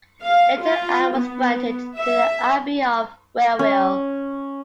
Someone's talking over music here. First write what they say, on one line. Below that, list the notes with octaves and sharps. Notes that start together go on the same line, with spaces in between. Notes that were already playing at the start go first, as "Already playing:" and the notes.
Little Ann was granted to the Abbey of Wherwell.
F5
F4
B3
E5
C#4